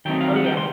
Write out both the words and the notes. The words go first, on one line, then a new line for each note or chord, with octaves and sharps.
Oh, yeah.
D#3 F#3 A3 C4 D#4 G5
F5
F#5
G5
C6